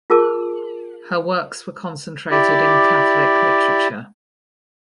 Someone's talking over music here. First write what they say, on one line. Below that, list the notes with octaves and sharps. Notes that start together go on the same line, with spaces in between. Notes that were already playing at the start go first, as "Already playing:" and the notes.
Her works were concentrated in Catholic literature.
F4 G#4 A#4 A5 D6
E4 G4 D5